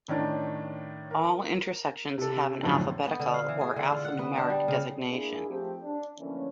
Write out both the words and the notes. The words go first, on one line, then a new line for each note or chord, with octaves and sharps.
All intersections have an alphabetical or alphanumeric designation.
A2 D#3 C#4 D4
A#4
C3 A4
F#2 A2 D3 F3
B3
D3
F5
E3
G#4
D3
F4
F#5
B3
D4
G3
C#3
A#2 A#3 D4 E4 G#4
F3 A3 C4 G4
D4
D3 E3 F3 A3 A#3 C#4